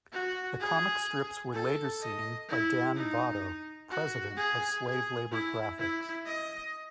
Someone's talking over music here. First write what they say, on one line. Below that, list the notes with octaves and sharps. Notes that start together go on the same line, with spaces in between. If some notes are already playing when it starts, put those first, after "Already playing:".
The comic strips were later seen by Dan Vado, president of Slave Labor Graphics.
F#4
G#4
A4
D#5
E4
D#4
F#4
G#4
G#4
E4
E4
D#5